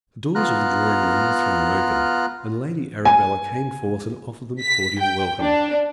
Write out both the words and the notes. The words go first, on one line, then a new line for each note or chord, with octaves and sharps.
The doors of the drawing-room were thrown open, and Lady Arabella came forth and offered them cordial welcome.
B3 F4 A#5 F6 F#6
G#5
B6
G5
D4